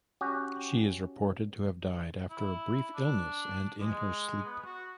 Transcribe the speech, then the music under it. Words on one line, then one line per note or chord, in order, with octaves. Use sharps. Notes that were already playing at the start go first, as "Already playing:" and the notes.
She is reported to have died after a brief illness and in her sleep.
C#4 F#4 G4
E4
D4
G#3
B3
F#4